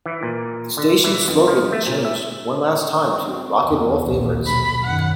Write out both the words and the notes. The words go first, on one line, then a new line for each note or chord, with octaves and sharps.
The station's slogan changed one last time to "Rock 'N Roll Favorites".
E3
A#2
D3
E3
F2
F3
A3
A#2
E5
C4
E2
A#1 D#2
B1 B5
F#2 D#3 F#5